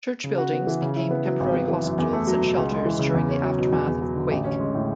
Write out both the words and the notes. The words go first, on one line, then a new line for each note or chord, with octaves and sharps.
Church buildings became temporary hospitals and shelters during the aftermath of the quake.
C#3
F#4
B3
E3
C#3
E4
B3
F#3
G#1
B3
E3
F#2
E2
A3
F#3
B2
C#2
G#3
E3
C#3
E2
C#4
F#3
B2
E2
E2
F#3
D3
A1
C#4
G#3
A2